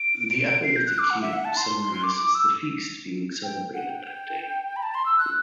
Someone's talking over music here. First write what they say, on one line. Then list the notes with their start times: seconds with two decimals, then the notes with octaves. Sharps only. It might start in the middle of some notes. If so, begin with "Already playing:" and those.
The apolytikion summarizes the feast being celebrated that day.
Already playing: D7
0.64 C7
0.76 G6
0.87 F#6
0.99 D6
1.10 F#5
1.22 E5
1.33 F#5
1.45 A5
1.57 C6
2.04 D6
2.19 D6
2.35 E6
3.43 G5
3.74 F#5
3.89 G5
4.76 B5
4.83 A5
4.94 C6
5.06 E6
5.18 F#6